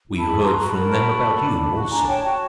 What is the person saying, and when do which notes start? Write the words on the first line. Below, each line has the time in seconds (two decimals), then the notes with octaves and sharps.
We heard from them about you also.
0.10 E4
0.18 A5 B5
0.27 G#4
0.43 F#4 A#5 C6
0.59 F#4
0.67 A5 B5
0.75 A#4
0.92 F#4
1.08 F#4
1.25 A4
1.41 D4
1.57 D4
1.75 F#4
1.91 D4 G#5 A#5
2.07 C#5 G5 A5
2.24 F#4 G5 A5